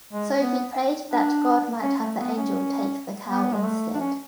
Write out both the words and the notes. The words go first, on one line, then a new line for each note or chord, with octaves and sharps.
So he prayed that God might have the angel take the cow instead.
G#3
B3
D4
C#4
A3
B3
C#4
B3
G#3
A3
D4
C#4